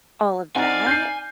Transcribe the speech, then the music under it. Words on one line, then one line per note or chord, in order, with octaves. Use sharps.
all of that,
C4 D#4 D5 F5 F#5 G#5 A#5
G6 C7